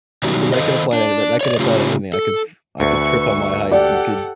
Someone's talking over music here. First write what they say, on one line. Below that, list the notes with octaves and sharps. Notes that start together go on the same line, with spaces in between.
'Cause I could apply to that that could apply to anything. I could f I could trip on my hike, you could
B2 D#3 F#3 G3
D#3 A4 C5 D#5
D4
C#5 D5
C#3 A3 C#4 F4 G4 C#5
A4
D2 B4 E5 C#6
G4 A4 D5 F#5